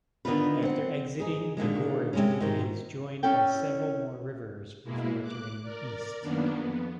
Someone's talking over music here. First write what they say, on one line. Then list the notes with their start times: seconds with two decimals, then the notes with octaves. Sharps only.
After exiting the gorge it is joined by several more rivers before turning East.
0.25 D3 D#3 B3 D#4 F4 B4
0.62 C4 F#5
1.20 D#4 G#4
1.57 A#2 D3 D#3 G#3
2.13 C3 G#3 C#4
2.40 G#2 D#3 G#3
3.23 C#4 E4 G4 A4 G5
4.84 B2 G#3 A#3 E4
5.22 D6 F#6
5.62 A#4 D5
6.22 F#2 D#3 A#3 B3 D4
6.53 F2 B3